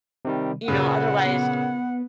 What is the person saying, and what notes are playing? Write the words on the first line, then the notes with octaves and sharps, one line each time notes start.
you know, otherwise
C3 D#3 G3
A#2 C#3 B4 F#5
B3